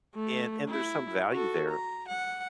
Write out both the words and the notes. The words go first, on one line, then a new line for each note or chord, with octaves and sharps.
and and there's some value there.
A3
E4
F#4 A4
A#5
F#5